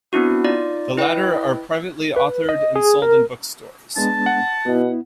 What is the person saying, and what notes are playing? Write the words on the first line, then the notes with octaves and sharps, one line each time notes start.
The latter are privately authored and sold in bookstores.
B3 C4 D4 E4 F#4
D#4 F4 D5
E4 B4 D#5 G5
B4
D#5
G#4
A#4
G#3 B3 D4 A5
F#5
B2 B3 E4